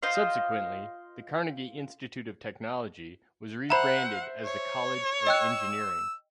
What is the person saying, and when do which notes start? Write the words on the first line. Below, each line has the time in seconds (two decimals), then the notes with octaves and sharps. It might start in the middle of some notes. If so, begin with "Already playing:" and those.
Subsequently, the Carnegie Institute of Technology was re-branded as the College of Engineering.
0.03 F4 C5 D#5 F5
3.70 C5 E5 F#5 A#5 B5
4.45 C#5
5.27 D#5 G5 E6 F#6